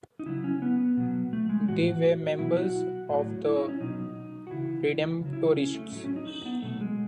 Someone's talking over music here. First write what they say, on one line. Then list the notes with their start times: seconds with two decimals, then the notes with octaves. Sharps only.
They were members of the Redemptorists.
0.19 D#4
0.26 C#3 F#3 E4
0.44 C#4
0.62 B3
0.97 B2 F#3
1.33 A3
1.49 G#3
1.68 A2 E3 F#4
2.38 B2 F#3 E4
2.57 F#4
3.09 A2 F#3
3.45 E4
3.57 D#4
3.68 C#4
3.81 B2 F#3 D#4
4.47 F#4
4.51 C#3 E3 E4
5.21 C#3 F#3
5.33 E4
5.57 C#4
5.74 A3
5.92 A2 F#3 A3
6.04 C#4
6.16 D#4
6.27 D#4
6.45 B3
6.62 B2 F#3 A3
6.81 G#3